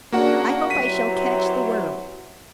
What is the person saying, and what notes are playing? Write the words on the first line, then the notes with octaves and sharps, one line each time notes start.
"I hope I shall catch the worm."
C#3 A#3 D4 F#4 F#5
C3 E3 F#3 B6 D#7